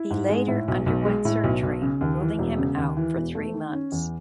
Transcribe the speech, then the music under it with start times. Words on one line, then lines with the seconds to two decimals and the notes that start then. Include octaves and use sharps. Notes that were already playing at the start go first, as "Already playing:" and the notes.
He later underwent surgery, ruling him out for three months.
Already playing: E4
0.11 G#2
0.29 G#3
0.48 A2
0.68 B1
0.86 B1
1.05 G#3
1.25 A2
1.44 B1
1.63 B1
1.82 C#3
2.01 D#2
2.21 E3
2.39 E1
2.58 C#3
2.77 D#2
2.97 E3
3.15 E1
3.35 A3
3.54 D#3
3.73 C#4
3.92 E2